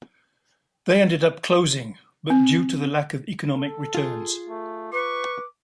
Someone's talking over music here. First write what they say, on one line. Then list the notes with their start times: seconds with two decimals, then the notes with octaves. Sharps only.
They ended up closing, but due to the lack of economic returns.
2.30 C4
3.56 A4
3.95 F4 G#4
4.49 A3
4.93 B4 C#6 D6